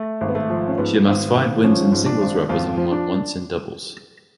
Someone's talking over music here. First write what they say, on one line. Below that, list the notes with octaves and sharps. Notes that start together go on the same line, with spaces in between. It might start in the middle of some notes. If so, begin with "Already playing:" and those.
She amassed five wins in singles rubbers and won once in doubles.
Already playing: A3
G#1
B3
A3
F3
C#4
G#2 B3
G#1
G#1
F3 C#4
G#2
D4
G#1
F2 F4
F3
D4